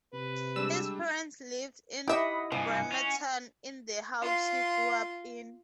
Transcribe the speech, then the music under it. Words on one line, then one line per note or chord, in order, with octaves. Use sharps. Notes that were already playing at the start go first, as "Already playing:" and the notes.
His parents live in Bremerton in the house he grew up in.
C3 B4
G3 G#3 D4 E6
E4 G4 D#5 E5 F#5 B5
G2 C3 F3 F#5 G#5
C#4
F4 C6